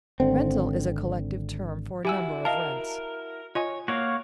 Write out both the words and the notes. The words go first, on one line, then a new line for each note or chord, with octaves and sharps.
Rental is a collective term for a number of rents.
G#1 D3 C4
E4 F#4 G4 G#5 E6
A#4 D#5 F5 A5
F4 C#5 D#5 G#5
A#3 F#4 C#5 F5